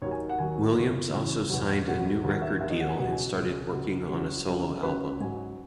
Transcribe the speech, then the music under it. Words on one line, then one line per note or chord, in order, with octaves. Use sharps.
Williams also signed a new record deal and started working on a solo album.
D#2 D#3 F#3 C#5
G#5
F#5
D#2 D#3 F#3 G#5
F#2 C#3 E3
F#2 C#3 E3
E2 B2 F#3
E2 B2 F#3 F#5
D#2 D#3 F#3 F#5
E5
D#2 D#3 F#3 E5
D#5
F#5
G#5
C#2 B2 F#3 F#5
G#5
C#2 B2 F#3 G#4
C#2 C#3 F#3
C#2 C#3 F#3
C#2 C#3 F#3
C#2 C#3 F#3 B4
G#2 F#3 G#5